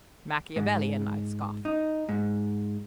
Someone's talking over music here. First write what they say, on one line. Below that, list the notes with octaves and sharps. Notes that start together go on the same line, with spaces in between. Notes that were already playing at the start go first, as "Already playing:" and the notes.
"Machiavellian!" I scoffed.
G#2
D#4
G#2